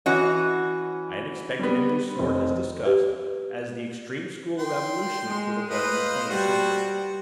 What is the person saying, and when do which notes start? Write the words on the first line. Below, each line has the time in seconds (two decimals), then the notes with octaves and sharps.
I had expected him to snort his disgust, as the extreme school of evolutionists would have done in the Twentieth Century.
0.06 E3 C#4 F#4 D#5
1.59 G3 B3
2.15 F1 C4
2.85 G4 B4
4.59 G5 C6
5.28 G#3
5.71 F4 B4 C5 D#5
6.29 G3 F#4 C5